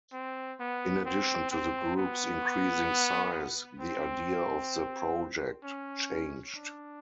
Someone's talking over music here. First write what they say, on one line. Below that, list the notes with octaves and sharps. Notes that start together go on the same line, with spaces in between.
In addition to the group's increasing size, the idea of the project changed.
C4
B3
C4
C4
B3
C4
C#4
D4